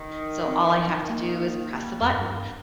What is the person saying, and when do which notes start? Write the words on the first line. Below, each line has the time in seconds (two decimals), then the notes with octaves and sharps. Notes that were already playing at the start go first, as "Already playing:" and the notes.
so all I have to do is press a button,
Already playing: D#3
0.48 C4
0.68 D#4
0.89 D#3
1.09 A#3
1.70 G3
2.02 F2
2.11 G2 A#3